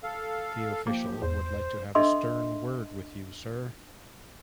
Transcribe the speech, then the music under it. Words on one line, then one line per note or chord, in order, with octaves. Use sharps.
The official would like to have a stern word with you, sir.
A4 F5
F3 A#3 G4
E2 C5
D4 A4 D#5 E5 C6 E6